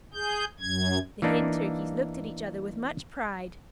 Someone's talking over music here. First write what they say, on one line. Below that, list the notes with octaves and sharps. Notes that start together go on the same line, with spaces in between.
The Hen Turkeys looked at each other with much pride.
G#4 G6
F#2 G#6
E3 A#3 D4 D#4